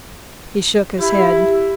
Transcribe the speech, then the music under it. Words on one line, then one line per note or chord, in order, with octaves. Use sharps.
He shook his head.
E4 G4